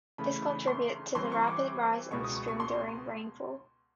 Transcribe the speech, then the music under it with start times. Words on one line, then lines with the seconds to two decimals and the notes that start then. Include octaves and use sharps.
This contributes to the rapid rise in the stream during rainfall.
0.18 C#3 E3 A3 B5
0.67 C6
1.15 E3 G3 C4 C6
1.32 C#6
1.48 D6
2.11 C#2 B2 G#3 B3 C#6
2.24 D#6
2.35 C#6
2.48 C#6
2.60 C6